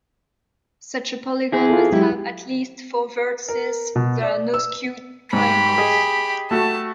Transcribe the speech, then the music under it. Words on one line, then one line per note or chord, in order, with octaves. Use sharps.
Such a polygon must have at least four vertices; there are no skew triangles.
E4 G#4
F4 A4
F#3 G#3 E4 G4
A#4
B2
D5
E6
G#2 G4 B5
G#4 D#5
A3 F#4 A5